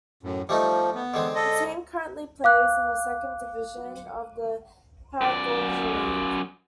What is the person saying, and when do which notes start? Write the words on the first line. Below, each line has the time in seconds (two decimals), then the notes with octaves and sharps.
The team currently plays in the second division of the Paraguayan League.
0.23 F#2 A2
0.49 F3 G3 A3 D#4
0.95 B3
1.14 D3 G#3 C4
1.35 A4 D#5
2.44 F5 D6 F#6
5.21 F#2 D5